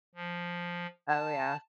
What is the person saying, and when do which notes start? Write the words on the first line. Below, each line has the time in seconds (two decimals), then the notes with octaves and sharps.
Oh, yeah.
0.15 F3
1.08 A5